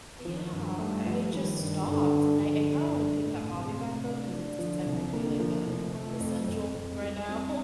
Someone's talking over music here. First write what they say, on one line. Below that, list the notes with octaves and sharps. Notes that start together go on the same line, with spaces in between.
yeah, I I just stopped, and I I kind of want to pick that hobby back up 'cause it's c technically like a an essential right now.
D#3 F3
G2
G3 A3
F3
D#3 G3
G2
G2 D3
G2
D3 F3
G2
G2
A1
A1 C3
A3
D4
D4
D3 F3
C2
D3 A#3
F3
F1
A3
F2
F2
F2
G3
G3 C4